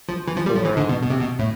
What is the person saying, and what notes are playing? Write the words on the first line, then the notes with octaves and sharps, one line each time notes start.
for, um,
F3
E3
F3
G3
F3
E3
D3
B2
B2
C3
B2
A2